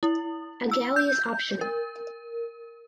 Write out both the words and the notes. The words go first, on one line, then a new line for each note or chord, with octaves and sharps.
A galley is optional.
E4
E6
G6
A#4